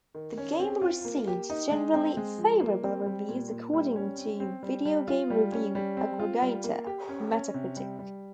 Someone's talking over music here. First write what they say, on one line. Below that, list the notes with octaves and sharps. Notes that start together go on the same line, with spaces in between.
The game received "generally favorable" reviews according to video game review aggregator Metacritic.
D#3
C#4
C4
F4
A#3
G4
D#4
G#3
C4
G#3
F3
A#3
C4
G3
A#2
A#2
G3
C#4
C4
C4
G3
G3
F4
G3
C#4
G3
C4
F4
G3
A#3
G4
C#4
C#4
C3
G3
G3